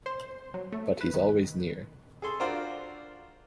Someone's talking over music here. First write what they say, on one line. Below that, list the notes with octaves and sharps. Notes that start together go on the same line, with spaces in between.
But he's always near.
C5
F#3
A3
B4
D#3
G#4 A4 C6
D4 F4 F#4 A#4 C5 D5